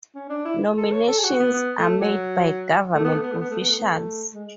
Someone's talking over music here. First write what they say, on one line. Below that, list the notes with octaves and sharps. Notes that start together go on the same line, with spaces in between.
Nominations are made by government officials.
C#4
D4
E4
A4
C#5
A4
G#4
F#4
B3
B3
A3
F#3
A3
B3
A3
B3
A3
B3
A3
B3
A3
B3
A3
G#3